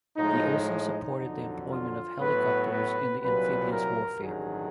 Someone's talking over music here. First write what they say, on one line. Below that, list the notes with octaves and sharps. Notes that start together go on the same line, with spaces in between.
He also supported the employment of helicopters in the Amphibious Warfare.
A2 F3 G#3 D#4
D#4
F2 D3 F#3
F4
A2 F#3 B3 B4
B4
C2 A#2 F#3 B4
A#4
A1 G2 D#3 F#3 G#4